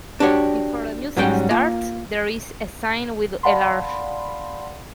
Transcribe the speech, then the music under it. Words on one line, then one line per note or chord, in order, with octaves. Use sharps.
Before the music starts, there's a sign with a large !
D4 F#4 G4 C#5
G#2 F#3 G3 C#4 G4 G5
A#3 F4
D5 F5 F#5 A5 B5 C6